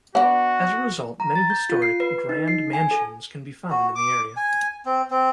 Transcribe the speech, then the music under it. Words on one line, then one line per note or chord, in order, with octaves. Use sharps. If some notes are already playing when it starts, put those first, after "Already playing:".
As a result, many historic, grand mansions can be found in the area.
B3 D4 F#4
A#5
A6
G6
F4
C7
B4
D#4
C7
G#5
A4
F#4
D6
G#5
C4
C4